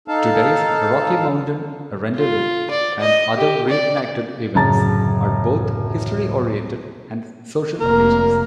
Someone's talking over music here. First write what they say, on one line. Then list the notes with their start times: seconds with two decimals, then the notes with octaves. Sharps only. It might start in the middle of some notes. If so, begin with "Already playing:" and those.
Today's Rocky Mountain Rendezvous and other reenacted events are both history-oriented and social occasions.
0.08 D#4 A4 F5 A5
2.16 F4
2.71 D5
3.01 D#5
3.38 G4
3.70 D5
4.54 D1 F#2 C#3 A5 A#5 A6
7.80 F1 A#3 A#4